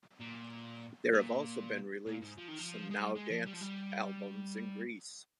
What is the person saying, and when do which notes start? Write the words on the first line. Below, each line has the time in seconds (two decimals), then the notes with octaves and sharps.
There have also been released some "Now Dance" albums in Greece.
0.20 A#2
1.13 A#2
2.06 A#2
2.22 G#2
2.38 F3
2.48 D#3
2.59 F3
2.90 G#3
2.99 G3
3.16 G#3
3.31 F3
3.46 G3
3.54 F3
3.62 G3